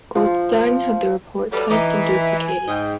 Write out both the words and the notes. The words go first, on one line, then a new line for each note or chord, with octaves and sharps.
Goldstine had the report typed and duplicated.
F3
F#3 G3 A4 B4 D5 F5
E3 D#4 D#5 E5 D6
G#5
G#2 D#5 G5